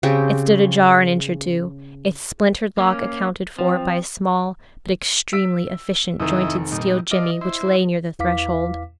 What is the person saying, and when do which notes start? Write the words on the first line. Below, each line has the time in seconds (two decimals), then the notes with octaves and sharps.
It stood ajar an inch or two, its splintered lock accounted for by a small but extremely efficient jointed steel jimmy which lay near the threshold.
0.03 C#3 C4 G4
2.78 A#3 C#4
3.59 F3 C4
5.33 E6 B6 D7
6.20 F1 D#3 E4 D#5
6.72 A#2 G3 D#4
7.11 F4 D5 D#5
7.41 E4 C5
8.19 E2 E4 B4 F5 D6 B6